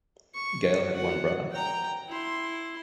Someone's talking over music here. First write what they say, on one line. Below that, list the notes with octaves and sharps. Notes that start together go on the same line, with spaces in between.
Gale had one brother.
C#6
F#4 F#5
G5 A#5
E4 C6